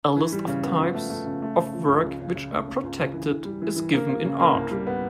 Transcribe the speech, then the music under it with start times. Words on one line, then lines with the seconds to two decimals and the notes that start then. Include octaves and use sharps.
A list of types of work which are protected is given in Art.
0.17 E3
0.32 G3
0.48 C#3
0.63 B3
0.80 F3
0.95 A3
1.10 A3
1.26 C#3
1.42 A3
1.57 C#3
1.73 F3
1.88 C#2
2.05 C#3
2.20 C#3
2.36 C#3
2.52 A3
2.67 C#3
2.83 C#2
2.99 C#2
3.14 E3
3.30 E3
3.45 G3
3.62 E3
3.76 E3
3.93 A#3
4.09 A#3
4.25 C#3
4.39 A#3
4.55 C2
4.71 G3
4.87 B3